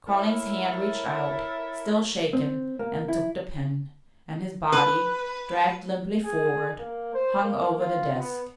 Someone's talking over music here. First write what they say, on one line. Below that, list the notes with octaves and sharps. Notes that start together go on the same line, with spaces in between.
Carling's hand reached out, still shaking, and took the pen; and his body, dragged limply forward, hung over the desk.
E4 A4 A#4 C#5 E5
C4
A#3
E4
B4
G#4
A#3
C5
A#3
F4
B3